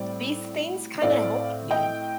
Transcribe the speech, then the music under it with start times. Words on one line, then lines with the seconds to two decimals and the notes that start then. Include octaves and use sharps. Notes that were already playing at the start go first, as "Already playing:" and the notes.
these things kinda help me.
Already playing: A2 G3 C4 D5
1.02 A2 A3 C4 D5 F5
1.71 D#5 G5